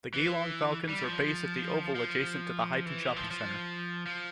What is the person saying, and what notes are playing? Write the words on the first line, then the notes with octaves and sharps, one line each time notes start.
The Geelong Falcons are based at the oval adjacent to the Highton Shopping Centre.
E3
G3
F3
F3
E3
F3
F3
F3